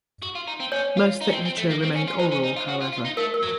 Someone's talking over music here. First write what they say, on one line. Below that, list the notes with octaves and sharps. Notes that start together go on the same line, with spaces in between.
Most literature remained oral, however.
F#4
F4
D#4
C4
C#4 C#5
F4
D#4
C#4
C4
C4
A3
A#3
C4
C#4
F4
D#4 C5
C#4
D#4
F4
F#4
F4
F4
D#4
A3 A#4
A#4
F#3